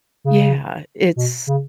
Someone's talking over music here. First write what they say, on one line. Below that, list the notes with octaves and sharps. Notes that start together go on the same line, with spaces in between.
Yeah, it's
C#3
B2
C#3